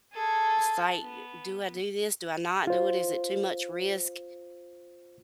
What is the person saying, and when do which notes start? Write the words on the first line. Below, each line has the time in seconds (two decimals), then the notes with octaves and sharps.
It's like, "Do I do this? Do I not do it? Is it too much risk?
0.14 G#4 A4
1.03 B3
2.67 F4 C5